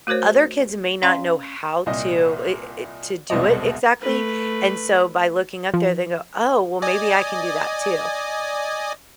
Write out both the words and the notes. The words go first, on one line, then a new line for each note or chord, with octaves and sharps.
other kids may not know how to eh eh, to do it exactly, and so by looking up there, they go, "Oh, well, maybe I can do that, too."
A3 F#4 A#4 C5 C#5
C#4 D5 F5 G#5 C6
C2 A#2 D#5
E1 C2 B2 C5 D5 D#5
A3 B4
F3
D5 D#5 G#5